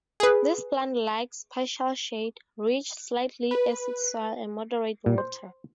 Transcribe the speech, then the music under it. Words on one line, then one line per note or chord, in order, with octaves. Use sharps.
This plant likes partial shade, rich, slightly acid soil and moderate water.
G#4 B4
B4
A#2
C5